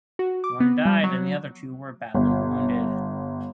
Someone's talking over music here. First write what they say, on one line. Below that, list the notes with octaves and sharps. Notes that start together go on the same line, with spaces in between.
One died and the other two were badly wounded.
F#4
D6
B3
G3
F#3
G1